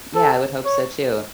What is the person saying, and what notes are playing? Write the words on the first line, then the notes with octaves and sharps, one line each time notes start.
Yeah, I would hope so too.
A4
C#5